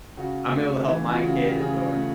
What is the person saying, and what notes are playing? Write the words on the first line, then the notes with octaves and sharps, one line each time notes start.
I'm able to help my kids or,
C#3 F#4
A3
E3
F4
C#3 F#4
G4
C#3 G#4
A3